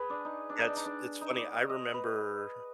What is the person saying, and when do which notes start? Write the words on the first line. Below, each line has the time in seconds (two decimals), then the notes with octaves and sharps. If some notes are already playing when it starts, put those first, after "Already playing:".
That's it's funny, I remember
Already playing: G#4 B4
0.10 D4
0.25 D#4
0.50 D4
0.58 D#4
0.67 D4
0.76 D#4
0.85 D4
1.21 D#4
1.37 D5
1.54 D#5
1.69 D#5
1.94 B4